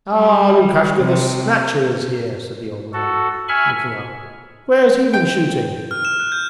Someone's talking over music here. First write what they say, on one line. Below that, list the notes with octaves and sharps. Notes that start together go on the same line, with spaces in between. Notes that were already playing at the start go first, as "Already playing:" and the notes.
'Ah! Lukashka the Snatcher is here!' said the old man, looking up. 'Where has he been shooting?'
G3
C3
F#4 A4
E5 G#5 B5 C#6 F6
G5
F6
E7
F#6
G6